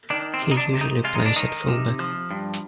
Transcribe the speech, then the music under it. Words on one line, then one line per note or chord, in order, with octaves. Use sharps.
He usually plays at fullback.
D#3 D4
C4
C3
D#4
D4
C3
D#4
G#3 F4
D#4
D4
D#3 D#4
C3
F3
G2